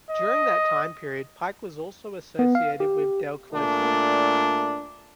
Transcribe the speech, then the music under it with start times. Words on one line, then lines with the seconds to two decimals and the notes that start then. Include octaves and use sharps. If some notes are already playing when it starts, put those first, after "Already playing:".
During that time period, Pyke was also associated with Del Close.
0.10 D#5
2.39 B3
2.55 F5
2.80 G4
3.53 A#2 A3 D4